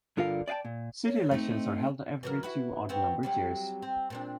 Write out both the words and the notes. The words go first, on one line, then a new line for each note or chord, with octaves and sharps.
City elections are held every two odd numbered years.
G2 D3 F4 A#4 F5
D5 D#5 F5 G5 A5
A#2
C#5
A3 C4 D#4
E3 F#3 A#4
E4 F#4 B4
B3 C4 F#4
C3 F#3 G3
C4
A#2 C4 D4